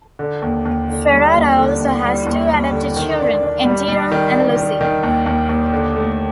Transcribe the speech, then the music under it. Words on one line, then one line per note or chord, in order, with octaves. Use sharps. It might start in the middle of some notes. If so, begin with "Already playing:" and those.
Ferrara also has two adopted children: Endira and Lucy.
D3
D#2
D#2
D3
G3
D#2
D3
D#2
G3
D#2
G3
D3
D#3
D4
D4
G3
G3
D#3
D4
D#3
D#3
D#2
D#2
D#2
D3
A3